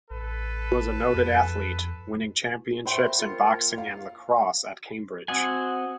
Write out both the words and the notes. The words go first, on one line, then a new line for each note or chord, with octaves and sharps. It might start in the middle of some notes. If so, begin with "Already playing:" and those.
He was a noted athlete, winning championships in boxing and lacrosse at Cambridge.
A1 A4 B4
F2
A#2 A3 C5 E5 F#5 G5 B5 C6
A#3 F4 C#7
F5
C4 F#4 D#5 F#5 G#5